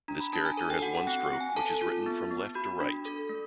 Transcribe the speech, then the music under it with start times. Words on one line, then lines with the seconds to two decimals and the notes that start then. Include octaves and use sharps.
This character has one stroke which is written from left to right.
0.08 D4 A#5
0.20 B5
0.33 D4 A5
0.45 G#5
0.57 A4
0.70 G5
0.82 F#4 F#5
0.95 F#5
1.07 C4 G5
1.23 G5
1.32 C4
1.40 G#5
1.56 A4 A5
1.81 F4
2.06 B3
2.31 B3
2.55 F#4 B5
2.81 D4
3.05 A4
3.29 A3